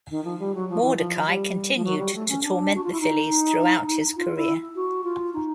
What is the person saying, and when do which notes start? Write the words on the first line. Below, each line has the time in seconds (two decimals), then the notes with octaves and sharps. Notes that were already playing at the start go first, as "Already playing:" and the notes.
Mordecai continued to torment the Phillies throughout his career.
0.10 D#3
0.24 F3
0.39 G3
0.55 F#3
0.69 F3
0.82 E3
0.97 F3
1.27 G3
1.75 F3
1.84 F#3
1.99 G3
2.14 A3
2.29 C#4
2.43 D4
2.75 F#4
2.84 F4
2.92 E4
3.00 D#4
4.16 F4
4.36 E4
4.75 F#4
5.04 F4
5.33 D#4